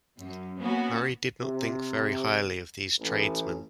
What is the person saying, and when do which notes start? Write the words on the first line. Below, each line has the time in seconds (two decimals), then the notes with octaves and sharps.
Murray did not think very highly of these tradesmen.
0.18 F#2
0.60 A#3 B3 C#4 F#4
1.41 C3
2.98 A1